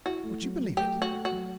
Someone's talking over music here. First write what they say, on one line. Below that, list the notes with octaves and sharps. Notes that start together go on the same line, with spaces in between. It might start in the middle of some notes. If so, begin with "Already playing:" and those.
Would you believe it?
E4 F#4
A3
F#3
F#3
A3 G4
A3
F#4
A3
F#4
F#3